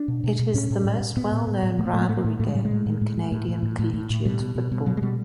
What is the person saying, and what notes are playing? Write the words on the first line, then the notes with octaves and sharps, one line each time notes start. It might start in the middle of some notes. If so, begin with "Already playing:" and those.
It is the most well known rivalry game in Canadian collegiate football.
Already playing: D4
B2
B2
B2
A2 C#4
A2
A2
A2
A2 B3
A2
A2
A2
A2 A3
A#3
A2 A3
A#3
A2 A3
A#3
A2 A3
A2 A3
G#3
A2 G3
G#3
A2
A2
A2
A2
A2
A2
A2
A2
A2
A2
B2 G3
B2
B2
B2
B2 F#3
G#3
B2 G3